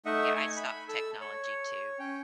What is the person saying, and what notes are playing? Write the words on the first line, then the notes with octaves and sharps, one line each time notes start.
Yeah, I stopped technology too,
A3 D#4 D#5 E5 F#5
G#5
B5
A4 E6
C#5
C#4 G5